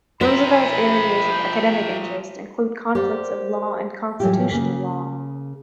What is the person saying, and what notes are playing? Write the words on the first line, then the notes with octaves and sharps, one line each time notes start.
Roosevelt's areas of academic interest include conflicts of law and constitutional law.
F3 A#4 C5 E5 G5 B5
G4 A#4 C5 D5 F#5
A2 E3 F#3 G3 F4 G4
C#3 A#3